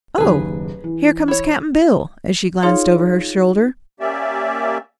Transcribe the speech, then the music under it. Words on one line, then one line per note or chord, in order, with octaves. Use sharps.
"Oh, here comes Cap'n Bill!" as she glanced over her shoulder.
F#1 D#2 G#4 B4
E3
E4 C#5
D#4 F4 G#4 C#5 F5 C6
A#3 C#4 G4 D5 E5